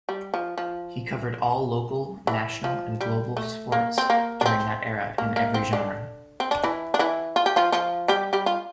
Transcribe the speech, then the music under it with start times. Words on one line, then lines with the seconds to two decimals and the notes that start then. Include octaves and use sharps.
He covered all local, national and global sports during that era in every genre.
0.09 G3
0.34 F3
0.58 F3
2.27 E3
2.64 F3
3.01 G3
3.37 A3
3.72 A#3
3.98 C4
4.10 A#3
4.41 D4
4.46 C4
5.18 A#3
5.36 A#3
5.54 C4
5.73 D3 D4
6.40 C4
6.51 D4
6.64 E3 E4
6.94 D4
6.99 E3 E4
7.36 F4
7.46 G4
7.56 F3 F4
7.72 F3 F4
8.08 G3 G4
8.33 G3 G4
8.46 F4